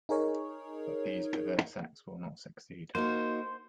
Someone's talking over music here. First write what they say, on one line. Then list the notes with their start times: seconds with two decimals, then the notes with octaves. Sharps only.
But these perverse acts will not succeed.
0.09 D#4 G#4 A#4 C#5
2.95 A#3 D#4 F#4 C5